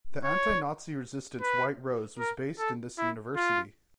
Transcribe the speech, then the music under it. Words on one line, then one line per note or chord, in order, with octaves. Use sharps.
The anti-Nazi resistance White Rose was based in this university.
C#5
B4
A#4
A4
E4
F4